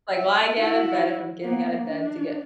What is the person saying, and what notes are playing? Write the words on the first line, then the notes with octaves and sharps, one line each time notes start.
Like, why get out of bed if I'm getting out of bed to get
E5
E4 F#4
A#3 B3
D4